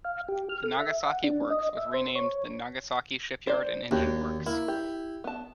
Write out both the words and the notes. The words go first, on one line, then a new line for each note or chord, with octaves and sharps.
The Nagasaki works was renamed the "Nagasaki Shipyard and Engine Works".
F5
G4
F6
A4
E5
F#5
D4
D#5
E5
C5
C#5
C5 D5
D#2 D4 F#4 G4
A#3 E4
G4
B3 A5